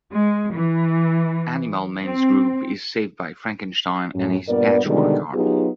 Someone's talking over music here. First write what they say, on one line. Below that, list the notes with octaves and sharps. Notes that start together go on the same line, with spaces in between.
Animal Man's group is saved by Frankenstein and his Patchwork Army.
G#3
E3
C4
F#2 A2 C#4
G2 A#2 B3 A#4 D5
B2 D3 D#3 G3 G#3
F#3 B3 D#4 F4 G4 G#4